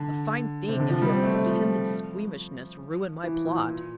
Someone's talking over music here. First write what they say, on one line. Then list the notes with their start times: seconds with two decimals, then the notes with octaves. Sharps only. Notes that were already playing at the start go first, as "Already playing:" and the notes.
A fine thing if your pretended squeamishness ruin my plot!
Already playing: D3
0.68 C3
0.80 D3
0.90 F3
1.02 G3
1.12 C4
1.23 A3
1.35 A3
1.46 F3
3.23 E3
3.45 A#2
3.68 A#2